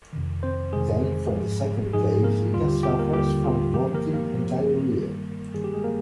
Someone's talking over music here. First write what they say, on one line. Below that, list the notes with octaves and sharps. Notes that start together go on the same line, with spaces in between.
Then, from the second day, Hilda suffers from vomiting and diarrhoea.
F2 C3 D#3
C4 C5
F2 C3 D#3 G#3 G#4
G#2 F3 G#3
G#2 F3 G#3 G#4
A#3 A#4
D#2 D3 G3 F4
G4
G4
A#3 A#4
D#2 D3 G3 G4
F4
G2 F3 G#3 G4
A#3 A#4
A#3 A#4
G2 F3 G#3
G2 D#3 G3
G2 D#3 G3 G#4
G4
G#3 G#4
A#3 A#4